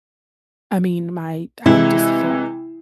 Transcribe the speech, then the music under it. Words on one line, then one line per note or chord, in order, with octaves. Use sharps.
I mean, my I just felt
C3 E3 G#3 E4